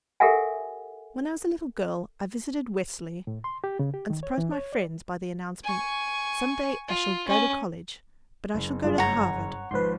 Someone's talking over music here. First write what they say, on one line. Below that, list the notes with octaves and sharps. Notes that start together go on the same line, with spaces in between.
When I was a little girl, I visited Wellesley and surprised my friends by the announcement, "Some day I shall go to college--but I shall go to Harvard!"
G4 A4 A#4 E5 F#5 G#5
A2
C6
G4
C#3
G4
D#3
C#5
E3
C#5
D5
G#5 C#6
F4
C#4
F#1
G2 F4 G#4
C#5 F#5 A#5
G#1 F3 B4 C6